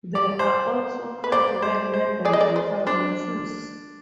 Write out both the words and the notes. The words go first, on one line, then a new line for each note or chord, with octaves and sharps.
There are also hardware-level differences.
D5
C5
B4
C5 D5
C5
C5
G#4 D5
D#5
D5
C5
D4 C5